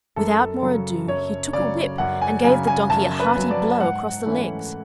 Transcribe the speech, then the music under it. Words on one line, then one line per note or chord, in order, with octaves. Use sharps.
Without more ado, he took a whip and gave the Donkey a hearty blow across the legs.
F#2 A4
C#3 F#3
F#2 C#5
C#3 F#3 D5
F#2 F#5
G#5
C#3 F#3 G#5
G#5
F#2 A5
B4
C#3 F#3
D5
G#2 F#5
E3 A3 C#4 E4